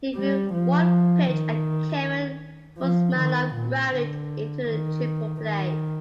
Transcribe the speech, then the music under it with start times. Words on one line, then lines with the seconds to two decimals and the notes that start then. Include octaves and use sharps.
He threw one pitch, and Kevin Kouzmanoff grounded into a triple play.
0.16 G3
0.53 F3
1.29 D#3
2.79 F3
3.16 D#3
3.55 A#2
3.93 D3
4.67 D#3
5.42 D#3